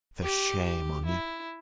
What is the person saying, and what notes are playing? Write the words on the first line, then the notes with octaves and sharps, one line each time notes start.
For shame on you!
G4
G4
E4